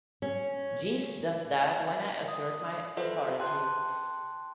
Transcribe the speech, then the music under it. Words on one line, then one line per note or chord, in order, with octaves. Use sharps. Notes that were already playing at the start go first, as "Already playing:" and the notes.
Jeeves does that when I assert my authority.
C#4
D#6
F4 A4 B4 C5 E5
G5 A5 C6 F#6